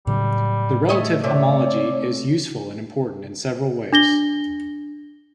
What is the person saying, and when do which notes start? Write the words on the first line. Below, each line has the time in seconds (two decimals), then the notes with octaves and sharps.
The relative homology is useful and important in several ways.
0.07 A2 C#3 F#3 G3
0.89 A3 C#5 D#5
1.24 C3 A3 C#5 D5
3.93 D4 A#6 G7